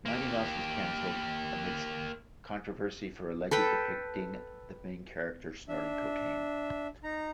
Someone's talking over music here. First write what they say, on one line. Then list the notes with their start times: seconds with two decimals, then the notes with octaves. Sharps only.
"Mighty Mouse" was cancelled amidst controversy for allegedly depicting the main character snorting cocaine.
0.06 A#3 G4
3.51 A4 B4 G5
5.68 D4 E5
7.03 D#4 A#5